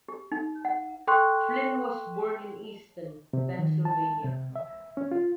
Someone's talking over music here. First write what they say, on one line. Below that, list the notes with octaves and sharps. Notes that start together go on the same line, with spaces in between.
Flynn was born in Easton, Pennsylvania.
G4
D#4
F#5
A4 G5 C6 C#6 F#6
C3
D#3
A5
C3
E5
C#4
F4